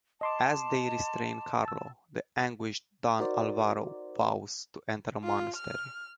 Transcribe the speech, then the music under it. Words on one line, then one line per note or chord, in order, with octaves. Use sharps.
As they restrain Carlo, the anguished Don Alvaro vows to enter a monastery.
D#5 A5 C6 D6
A5 E6
D#4 F#4 A#4 C5 D5
F4
F6